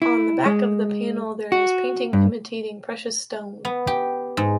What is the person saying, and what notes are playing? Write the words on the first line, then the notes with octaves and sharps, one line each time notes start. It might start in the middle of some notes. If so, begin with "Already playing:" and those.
On the back of the panel there is painting imitating precious stone.
E4
G#3
F#4
G2
B3
G4
G#2